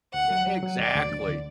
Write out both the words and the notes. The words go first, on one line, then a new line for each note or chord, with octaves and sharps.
Yeah, exactly.
D2 F#5
F#3
F#3
F#3
D2 D5
D2
D2
D3